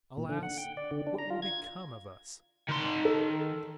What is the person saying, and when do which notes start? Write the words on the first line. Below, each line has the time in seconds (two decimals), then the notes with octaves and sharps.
Alas, what will become of us?
0.17 A#2
0.29 D3
0.43 F#5
0.58 G5
0.77 D5
0.91 D3
1.07 D4
1.18 A#5
1.30 F4
1.42 G#6
2.69 D#3 C6
3.05 A4